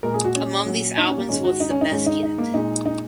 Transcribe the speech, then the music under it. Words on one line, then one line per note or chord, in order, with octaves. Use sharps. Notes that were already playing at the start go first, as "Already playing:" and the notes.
Among these albums was "The Best Yet".
A#2 G#3 A#4
G#4
F#4
C#4
A#2 F#3
D#4
C#4
A#3
G#2 D#3 G#3 C#4
F#4
D#4
C#4
D#4
G#2 D#3 G#3 C#4
D#4
D#4
A#3
A#2 G#3 D#4
D#4